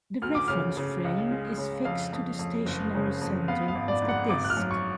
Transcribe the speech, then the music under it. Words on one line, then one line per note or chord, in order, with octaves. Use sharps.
The reference frame is fixed to the stationary center of the disk.
D2 F6
D6
C#3 F6
C#3
C#2
G#3
C#3
F2 F5
F2
F2
F#1
C#3
F2
B3 F5
F5
G#1
D5
G#2
F#5
G#1 D6
F#6
F6
F#2
C#6